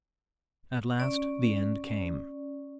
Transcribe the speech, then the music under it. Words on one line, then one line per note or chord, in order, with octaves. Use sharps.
At last the end came.
C#4 D5